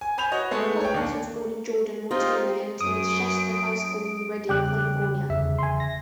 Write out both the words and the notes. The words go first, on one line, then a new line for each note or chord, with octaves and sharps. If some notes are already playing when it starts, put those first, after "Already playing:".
Hawkins was born in Jordan, Montana and attended Shasta High School in Redding, California.
G#5
G#5 B5 G6 F7
F#4 C#5 D#5
G#3 A3 B3
C#5 G5
D#2 D4
C4 D#4 F4 G4 D#5
F#2 D#6 D7
E2 C#3 G3 G5 D6 F#6
G1 E2 C#3 E5
G#5 C6
A#6